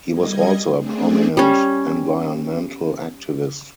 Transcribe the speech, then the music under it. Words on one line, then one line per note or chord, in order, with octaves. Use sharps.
He was also a prominent environmental activist.
G3 D#5 G#6
A3 C4 D4 G#4
G3 C#4